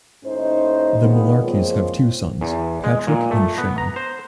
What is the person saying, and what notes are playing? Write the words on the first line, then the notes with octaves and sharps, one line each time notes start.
The Mularkeys have two sons, Patrick and Shane.
D#2 A2 C#4 D#4 C5
A#2 D#3 G#3 B3
F3 G#3 A#3 C4 F4 C#5
E2
G#3
A#2
A3
B3
A#5
C5